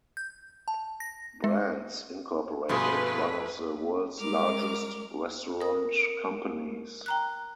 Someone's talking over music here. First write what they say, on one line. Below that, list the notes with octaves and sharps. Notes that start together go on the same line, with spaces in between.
Brands, Incorporated one of the world's largest restaurant companies.
G6
A5
A#6
G#3
G2 B2 F3 A3 G#4 B4 C6
G3 G#3 A#4 D6 F6
A#4 D#6
G5 A#5 F#6